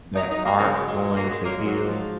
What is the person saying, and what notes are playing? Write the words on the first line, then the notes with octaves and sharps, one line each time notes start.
that aren't going to heal
F#3 D#4
D#4
F#3
A#3
C#3 A#3
G#3
F#3
G#3
A#2 G#3
A#3
F#3
G#3
F#3 A#3
G#3
F#3
A#3
F3